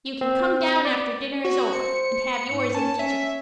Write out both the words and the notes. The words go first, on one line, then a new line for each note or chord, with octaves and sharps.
"You can come down after dinner is over and have yours in the kitchen."
C4
D5
F#4
C5 C#7
G#2 C#7
C#4 A5
C#4 E5